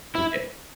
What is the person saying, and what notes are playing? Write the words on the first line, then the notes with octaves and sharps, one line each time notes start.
And get
E4